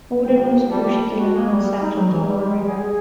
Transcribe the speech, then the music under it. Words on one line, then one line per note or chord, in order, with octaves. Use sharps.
Odon was pushed to the lands south of the Obra River.
G#1 G5
F3 G3 A#3 A5
F#4
A#3
G3
G3
D#4
F#3
E3
G3
G#3
G#4
G#4